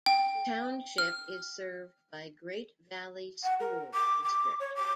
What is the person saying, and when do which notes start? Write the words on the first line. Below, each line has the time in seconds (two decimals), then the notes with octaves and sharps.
The township is served by Great Valley School District.
0.06 G5
0.98 F6
3.43 F#5
3.60 A#4
3.94 D6
4.24 D6
4.60 C#5
4.76 D6